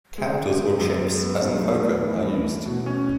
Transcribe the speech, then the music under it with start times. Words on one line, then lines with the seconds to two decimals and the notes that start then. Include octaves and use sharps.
Counters or chips, as in poker, are used.
0.18 G#3
0.38 G#3
0.58 G#3
0.80 F#2
1.00 G#3
1.20 B3
1.41 B1
1.61 A3
1.83 A2
2.03 E3
2.24 E3
2.44 A3
2.66 B2
2.86 C#4